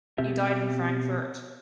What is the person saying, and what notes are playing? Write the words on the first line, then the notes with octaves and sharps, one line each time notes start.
He died in Frankfurt.
B2 C4 G4 E5